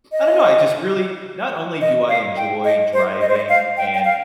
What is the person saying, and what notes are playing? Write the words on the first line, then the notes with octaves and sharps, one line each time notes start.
I don't know, I just really not only do I enjoy driving and,
D#5
D#5
F5
G5
D#5
C5
D#5
C5
D#5
F5
G5
G5
F5